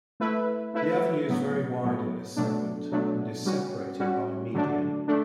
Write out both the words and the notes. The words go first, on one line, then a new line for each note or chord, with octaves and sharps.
The avenue is very wide in this segment, and is separated by a median.
A3 E4 B4 E5
A3 E4 B4 E5
A2 F#3 B3
A2 F#3 B3
B2 F#3 A3 D4
B2 F#3 A3 D4
G3 C#4 F#4
G3 C#4 F#4
D3 F#3 A3 D4
A3 D4